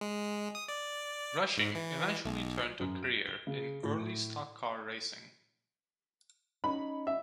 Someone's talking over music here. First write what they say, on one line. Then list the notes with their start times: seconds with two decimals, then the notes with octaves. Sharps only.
Rushing eventually turned to a career in early stock car racing.
0.01 G#3
0.55 D#6
0.68 D5
1.57 G#2
1.75 E3
2.25 B1
2.80 F#2
3.03 D7
3.27 G7
3.47 C#3
3.83 A2
6.64 C#4 D#4 B5
7.07 E5